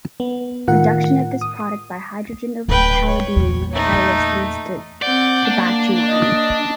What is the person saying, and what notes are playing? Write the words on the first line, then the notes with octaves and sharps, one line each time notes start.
Reduction of this product by hydrogen over a palladium catalyst leads to terbutaline.
B3
A2 D#3 F4 A#4 F#5
D#6
D1 B4 G5
C#5
E2 A#2
A3 D#4
C4 D5 F#5 G6
A#3 D4
D#5